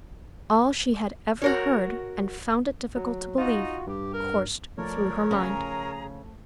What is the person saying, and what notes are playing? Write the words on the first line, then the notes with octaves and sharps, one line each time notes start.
All she had ever heard and found it difficult to believe, coursed through her mind.
F#4 A#4 C#5
F#3
D#4 F4 F#4
G2 G4
A#4
F3 A3 A#4 C#5 D5
C#3 G#4 A#5